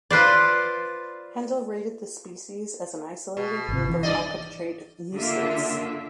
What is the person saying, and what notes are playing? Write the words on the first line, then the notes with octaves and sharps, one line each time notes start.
Hendel rated the species as "an isolated group of acalyptrate muscids".
F4 B4 C5 D5
B2
G#1 C3
E3
G2 D5 D#5
D3 A#3 F4 F#4 E5